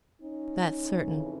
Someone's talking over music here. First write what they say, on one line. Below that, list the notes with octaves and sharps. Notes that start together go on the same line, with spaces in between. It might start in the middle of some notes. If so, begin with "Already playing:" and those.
"That's certain."
C#4 D#4
F2 C#3 E3